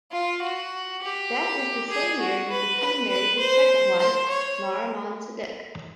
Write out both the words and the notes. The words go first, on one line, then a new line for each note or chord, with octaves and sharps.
That is the same year that the king married his second wife Narriman Sadek.
F4
F#4
G4
G#4
F#4
B4
B4
B4
C5
C5
C#5